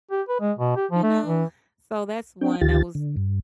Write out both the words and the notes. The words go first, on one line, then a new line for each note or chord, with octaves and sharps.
You know? So, that's one that was
G4
B4
G#3
B2
G4
F3
A3
E3
C4 D4 G5
D2 D#3 F4 G4 A6
D3
G2